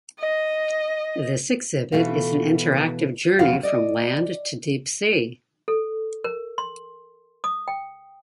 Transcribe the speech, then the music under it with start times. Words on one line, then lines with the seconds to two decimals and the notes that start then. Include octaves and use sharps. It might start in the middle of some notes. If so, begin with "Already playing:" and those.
This exhibit is an interactive journey from land to deep sea.
0.19 D#5
1.92 B2 E3 A3 F4
3.39 E2 C#3 F3 C4 F#4 F5
3.63 D5 D#5
5.68 A4
6.24 A#4
6.58 C6
7.44 D#6
7.68 G5